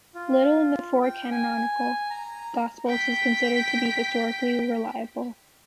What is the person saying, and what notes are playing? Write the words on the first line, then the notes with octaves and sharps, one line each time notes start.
Little in the four canonical gospels is considered to be historically reliable.
F4
G5
G#5
A#5
G5 B6